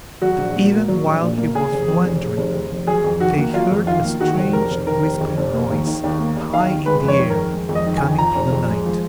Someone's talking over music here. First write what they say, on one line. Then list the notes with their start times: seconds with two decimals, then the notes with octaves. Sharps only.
But even while he was wondering, they heard a strange whispering noise, high in the air, coming through the night.
0.22 F#3 F#4
0.39 A#1
0.55 A#2
0.72 A#3
0.88 F#3
1.04 A#1
1.22 A#2
1.37 A#3
1.55 C#3 G#4
1.72 F1
1.88 F2
2.04 F1
2.21 C#3
2.37 F1
2.54 F2
2.71 F1
2.87 F#3 G#4
3.04 F2
3.20 D#3 F#4
3.37 A#3
3.54 F#3 F4
3.71 F2
3.87 D#3 F4
4.04 A#3
4.20 D#3 F#4
4.37 F1
4.53 F2 A#4
4.70 F1
4.87 D#3 A#4
5.03 F1
5.21 F2
5.37 F1
5.53 A#3
5.70 D#2
5.87 D#3
6.04 D#2
6.19 A#3
6.37 D#2
6.54 D#3 F5
6.70 D#2
6.86 G#3 B4
7.02 F2
7.08 C#5
7.19 D#3
7.30 A#4
7.36 F2
7.53 G#3
7.69 F2
7.75 D#5
7.86 D#3
7.97 G#5
8.02 F2
8.18 F3 A#5
8.35 F1
8.52 F2
8.69 G#3
8.86 F3